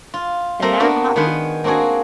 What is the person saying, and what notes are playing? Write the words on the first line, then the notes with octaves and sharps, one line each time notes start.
in that hobby.
F4
A3 A#3 C4 F5 A#5
A#3 B3 D4 F#4
D#3 B3 G#4 B4 F#5 C6
A#3 C4 D4 F#4 G#4